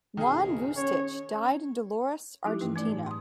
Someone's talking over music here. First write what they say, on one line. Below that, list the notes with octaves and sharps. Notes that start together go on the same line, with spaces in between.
Juan Vucetich died in Dolores, Argentina.
F#1 B1 D#3 G#4
C#4 C#5
F3 C#4 D#4 E4 G4
G2 E3 C#4 B4
A3 D#4 D5
A2
C6 D#6